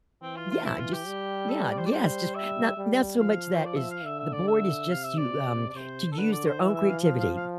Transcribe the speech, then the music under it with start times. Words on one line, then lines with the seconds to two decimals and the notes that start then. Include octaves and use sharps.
Yeah, just yeah, yes, just not not so much that is the board is just to, um, to use their own creativity,
0.22 E3 C4
0.36 F4
0.51 F4
0.65 E4
0.78 F4
0.93 G4
1.07 G3
1.49 A4
1.64 B4
1.71 D5
1.78 C5
1.86 D5
1.92 G3 C5
2.35 E5
2.77 G3
3.20 F3 F5
3.55 C5
3.65 D5
3.76 E5
3.91 F5
4.05 D3 E5
4.19 E5
4.33 D5
4.48 E5
4.90 C3 F5
5.04 E5
5.18 D5
5.70 D5
5.75 C3 C5
6.12 A4
6.18 D3 B4
6.32 D5
6.46 C5
6.60 E3 E5
6.74 E5
6.88 F5
7.02 F3 F5
7.20 F5
7.37 F5